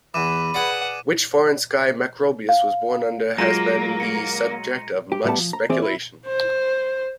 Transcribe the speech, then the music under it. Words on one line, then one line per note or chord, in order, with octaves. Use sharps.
Which "foreign sky" Macrobius was born under has been the subject of much speculation.
E2 E3 B5 D6 D#7
G#4 B4 D5 F#5
F5
F#3 G#3 A#3 F4 A#5 A#6 D#7
C#7
G4
A2 G3 B3 F#5 A5
F3
A#5
E3 C4 G#4 D5
E4
C5